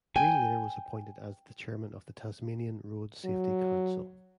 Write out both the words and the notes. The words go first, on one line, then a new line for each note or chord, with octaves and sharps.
Green later was appointed as the chairman of the Tasmanian Road Safety Council.
G5 G#5
F#3